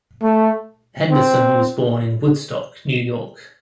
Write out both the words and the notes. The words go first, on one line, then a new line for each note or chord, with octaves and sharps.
Henderson was born in Woodstock, New York.
A3
C4